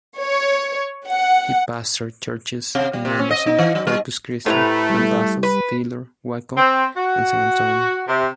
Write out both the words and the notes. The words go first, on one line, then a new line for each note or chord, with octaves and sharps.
He pastored churches in Anderson, Corpus Christi, Lampasas, Taylor, Waco, and San Antonio.
C#5
F#5
C3
G3
C3
C#4
D#5
D#4
E3
F#3
G3
A2 A3 E4 G4 B4 C5 A#5
G3
B4
C4
F#4
C3